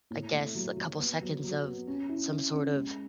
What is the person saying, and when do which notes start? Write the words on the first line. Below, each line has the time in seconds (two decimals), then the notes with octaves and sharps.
I guess, a couple seconds of some sort of
0.11 A2
0.33 A3
0.55 F#3
0.77 F#3
1.00 B3
1.21 F#3
1.44 F#3
1.65 B3
1.87 C#4
2.09 E4
2.31 E4
2.53 C#4
2.76 G#3